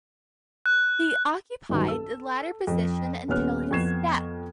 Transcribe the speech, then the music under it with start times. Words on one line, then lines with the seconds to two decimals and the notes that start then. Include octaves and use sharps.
He occupied the latter position until his death.
0.66 F#6
1.69 B1 G2 D#3 F#3
1.88 A4 E6
2.67 F2
3.28 D#1 B3 C#4 C#5 F6 F#6
3.71 F2 B3 C#6 G#6 C7 E7